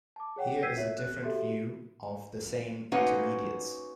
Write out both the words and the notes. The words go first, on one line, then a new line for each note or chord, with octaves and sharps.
Here is a different view of the same intermediates.
A5 D6
G#4 C#5 F#5 G5
E6 G6 G#6 B6 C7 D#7
C#5 E5
F#6
F#4 G4 A4 E5
A#3 C#4 D#4 F#4 B4 C5